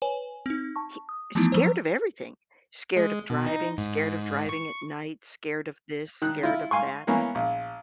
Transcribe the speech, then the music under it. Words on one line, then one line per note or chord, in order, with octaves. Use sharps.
hi scared of everything. Scared of driving, scared of driving at night, scared of this, scared of that,
B4 C#5 G#5
C4 D#4
A5 C#6
D#6
E3 F3 A3 B3 D#4 E4
F3 F#3 C5
G#3
B2
D#4
G#2
C#6
D#3 F#6
E4 F4
F5 G#5 C6 C#6
E3 A#3 B3 C#4
A#1